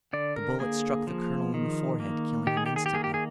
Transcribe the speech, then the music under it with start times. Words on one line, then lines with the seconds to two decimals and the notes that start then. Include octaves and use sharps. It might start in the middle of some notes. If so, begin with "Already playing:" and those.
The bullet struck the colonel in the forehead, killing him instantly.
0.13 D3 D5
0.36 A#4
0.60 A#3 G#4
1.07 F3
1.54 D#3
2.00 A#3
2.47 D#3 G4
2.57 G#4
2.66 G4
2.76 G#4
2.86 G4
2.93 A#3 G#4
3.04 G4
3.14 G#4